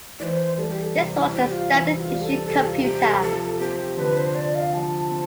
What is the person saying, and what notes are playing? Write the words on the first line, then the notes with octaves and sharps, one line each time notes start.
This was the standard issue computer.
E3 C5 D5
G3 A4
G4
A4
C3 G4
E4
C3 G4
F4
E3 E4
G4
F4
G3
A4
C3 A4
F4
C3 G4
A4
F3 A4
C4 G4
D3 B4
C5
F4 D5
F5
F3 A5
C4